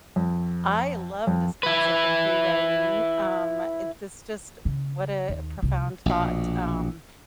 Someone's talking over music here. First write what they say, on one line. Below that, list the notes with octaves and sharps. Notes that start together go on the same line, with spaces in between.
I love this concept of prewriting. Um, uh, this just what a profound thought, um,
F2
F2
E4 B4
C#3
D#2
C2
A#1 B2